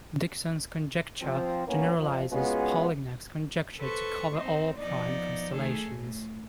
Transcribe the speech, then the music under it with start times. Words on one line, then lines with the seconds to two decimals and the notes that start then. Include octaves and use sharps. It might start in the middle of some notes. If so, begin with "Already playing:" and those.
Dickson's conjecture generalizes Polignac's conjecture to cover all prime constellations.
1.21 F3 C4
1.67 A2 A#3 B3 C#4
1.99 F2
2.31 G#3 B3 C#4 F4 F#4 G#4
3.79 A4 B4 C5 C#6
4.35 C4 D#4 C5
4.77 F3 B3 D#4 D5
5.55 D#3 A3 G#4 A4
5.86 A2